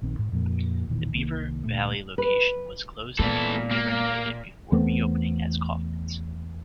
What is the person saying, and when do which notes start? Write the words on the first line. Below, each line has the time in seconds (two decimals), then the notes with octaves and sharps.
The Beaver Valley location was closed and completely renovated before reopening as Kaufmann's.
0.02 A#1 D#3 C4
0.19 G#2
0.32 F2 A#2 F3 A#3
0.88 E1 A#2 D#3 E3
1.13 C2 D#3 A#3
1.64 D2 A#2 A3
2.18 B4
3.19 A#2 E3 G#3 B3 A4
3.71 A#3
4.72 E2 A3 B3 C4